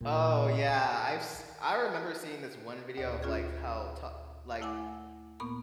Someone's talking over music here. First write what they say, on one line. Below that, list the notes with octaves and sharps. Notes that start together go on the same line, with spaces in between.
Oh, yeah, I've s I remember seeing this one video of, like, how ta like,
A#2
D#3
D2 A#2 D5
C#4 F4 F#4 G#4
A3 E4 F#5 G#5 D6
A#2 A#3 B3 B5 C#6